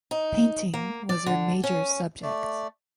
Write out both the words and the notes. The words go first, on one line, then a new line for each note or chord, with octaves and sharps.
Painting was her major subject.
D#4
A#3
D5
D3
C#4
A3 D5